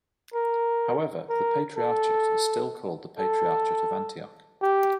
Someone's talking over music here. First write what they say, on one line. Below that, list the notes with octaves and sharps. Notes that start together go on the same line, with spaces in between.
However, the patriarchate is still called the Patriarchate of Antioch.
A#4
A#4
A4
A4
G4